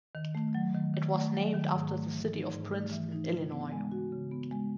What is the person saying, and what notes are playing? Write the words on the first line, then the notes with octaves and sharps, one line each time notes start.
It was named after the city of Princeton, Illinois.
D#3
A3
F#3
D#3
D#3
A3
F#3
D#3
G#2
A3
E3
D#4
G#2
A3
E3
D#4
C#3
B3
G#3
F#4
C#3
B3
G#3